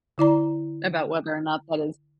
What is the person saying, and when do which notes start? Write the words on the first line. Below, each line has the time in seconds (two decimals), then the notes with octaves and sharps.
about whether or not that is
0.18 D3 E4 D5 A#5